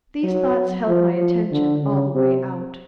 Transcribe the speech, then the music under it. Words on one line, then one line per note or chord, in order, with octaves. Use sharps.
These thoughts held my attention all the way out.
F#3
F3
F3
D3
C#3
C3